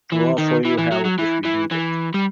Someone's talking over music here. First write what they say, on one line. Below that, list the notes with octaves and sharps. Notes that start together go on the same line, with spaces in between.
To offer you help if you need it.
E3
D#3
E3
E3
F#3
F#3
E3
E3
E3
G3